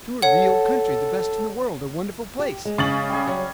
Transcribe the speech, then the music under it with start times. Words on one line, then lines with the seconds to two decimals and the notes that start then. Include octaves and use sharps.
"To a real country--the best in the world--a wonderful place!"
0.22 A4 C#5 F#5
2.39 G4
2.65 G#3
2.78 C#3 C#4 A6 F#7
3.09 G3 G#4
3.27 F#3